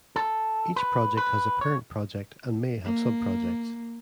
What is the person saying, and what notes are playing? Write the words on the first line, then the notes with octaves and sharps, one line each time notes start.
Each project has a parent project and may have sub projects.
A4
B4
B4
C#5
A#3